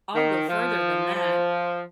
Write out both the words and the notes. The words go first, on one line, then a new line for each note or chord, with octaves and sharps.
I'll go further than that.
D#3
F3
F3